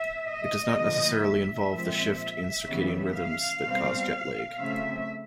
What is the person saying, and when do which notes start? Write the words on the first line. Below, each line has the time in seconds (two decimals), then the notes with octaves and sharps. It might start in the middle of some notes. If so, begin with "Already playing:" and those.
It does not necessarily involve the shift in circadian rhythms that cause jet lag.
Already playing: E5
0.27 D#5
0.75 D3 F3 A#3
1.23 E5
1.70 A#2 F3 G#3 C4
2.68 C#3 E3 G3 B3
3.16 F5
3.63 B2 G3 C4
4.59 C#3 F#3 A3 C4 E5